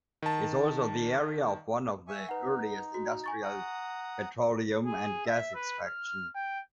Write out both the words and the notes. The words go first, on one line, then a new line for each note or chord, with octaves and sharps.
It's also the area of one of the earliest industrial petroleum and gas extraction.
D#3 A5
E5 G#5 C#6
D#4 B4 F#5
F#4
G#5 C#6 A6
F#5 A#5 D#6
G#4
E5
B4
F6
G5